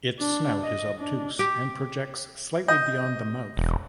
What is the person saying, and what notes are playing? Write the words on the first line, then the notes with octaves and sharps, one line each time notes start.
Its snout is obtuse and projects slightly beyond the mouth.
D4
D#5
D4
G4
D#5 G6
E1